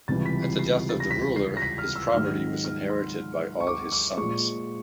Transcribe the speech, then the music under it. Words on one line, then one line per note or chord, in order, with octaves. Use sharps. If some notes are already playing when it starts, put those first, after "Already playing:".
At the death of the ruler his property was inherited by all his sons.
C#2 C3 E3 G3 A6
B6
C7
C7
A6
A#6
B6
C7
A#6
B6
F6
E6
G#2 D#3 F#3 F6
F6
C6
C#6
D6
D6
A#2 F3 G#3 C#6